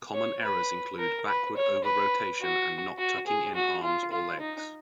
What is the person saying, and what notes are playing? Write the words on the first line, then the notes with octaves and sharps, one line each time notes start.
Common errors include backward over rotation and not tucking in arms or legs.
C#5
B4
A#4
B4
C#5
B4
F#4
F#4
G#4
F#4
F4
F4
D#4